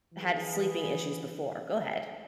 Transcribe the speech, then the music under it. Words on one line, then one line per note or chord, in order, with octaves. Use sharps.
had sleeping issues before. Go ahead.
E3 B3 G#4